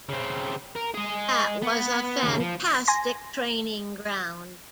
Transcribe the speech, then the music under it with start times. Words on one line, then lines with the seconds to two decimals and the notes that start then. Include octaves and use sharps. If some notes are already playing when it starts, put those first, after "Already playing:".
That was a fantastic training ground.
0.09 C#3 C4
0.76 A#4
0.94 G#4 D#5
1.62 B3
2.23 D#2 C#3
2.40 F3
2.87 G#5 C6 A#6